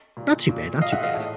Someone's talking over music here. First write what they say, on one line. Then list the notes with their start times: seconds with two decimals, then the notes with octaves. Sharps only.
Not too bad. Not too bad.
0.17 A#2
0.49 A#2
0.81 A#2 D#5 F5
0.92 E5 F#5
1.03 D#5 F5
1.14 A2